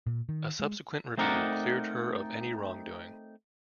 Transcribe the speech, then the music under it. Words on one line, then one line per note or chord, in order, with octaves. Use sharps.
A subsequent review cleared her of any wrongdoing.
A#2
D#3
G#3
A3 C4 D#4 A#4 D5 F#5